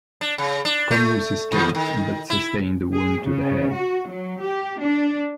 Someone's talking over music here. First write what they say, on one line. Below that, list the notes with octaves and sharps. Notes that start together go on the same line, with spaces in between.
Commius escaped, but sustained a wound to the head.
D4
C#3
D4
A3
D#2
D#3
E4
G#4
C#3
F#4
F#3
G4
D4